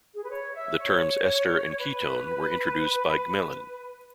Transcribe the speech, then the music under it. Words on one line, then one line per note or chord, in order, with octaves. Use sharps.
The terms Ester and Ketone were introduced by Gmelin.
G#4
B4
C#5
E5
C#5
B4